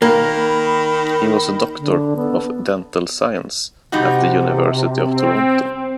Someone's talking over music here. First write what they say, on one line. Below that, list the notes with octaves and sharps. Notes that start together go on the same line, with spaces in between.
He was a doctor of dental science at the University of Toronto.
D#3 A#3 B5
D3
B3 A4
C3 G3 D#4 F#4
C4